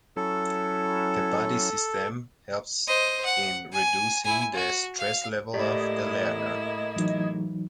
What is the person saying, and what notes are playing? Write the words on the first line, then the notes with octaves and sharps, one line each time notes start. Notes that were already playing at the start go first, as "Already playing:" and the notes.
The buddy system helps in reducing the stress level of the learner.
F#3 C#4 E4 A4
C5 D#5
F#5
G#5
E4 G#5
F#4
F5
A2 A3 A#3 E4 G4 D5 D#5 G#6
E3 F#3 D#4